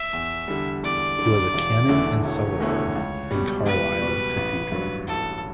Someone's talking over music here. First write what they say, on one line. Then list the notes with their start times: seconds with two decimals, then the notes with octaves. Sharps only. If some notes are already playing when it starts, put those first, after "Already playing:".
He was a canon and cellerer in Carlisle Cathedral.
Already playing: E5
0.13 E2
0.48 D3 G3
0.83 E2 D5
1.19 D3 G3
1.54 E1
1.89 E2 D3 A3 E4
2.25 E1 C#5
2.60 E2 D3 A3 E4
2.95 C#2
3.31 B2 G3
3.66 C#2 B4
4.01 B2 G3
4.37 A1
4.72 G2 F#3
5.07 A1 A4